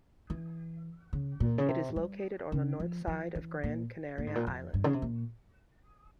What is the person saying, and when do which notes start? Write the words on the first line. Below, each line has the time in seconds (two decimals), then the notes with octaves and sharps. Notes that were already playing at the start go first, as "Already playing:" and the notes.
It is located on the north side of Gran Canaria island.
0.30 E3
1.13 C#3
1.40 A#2
1.58 C#3
1.68 C3
1.96 G3
2.52 C#3
2.80 F3
3.07 F3
3.35 E3
3.64 A#2
4.18 A#2
4.27 G#2
4.35 A#2
4.47 F2
4.74 G2
4.84 C#3
4.94 C3
5.02 A#2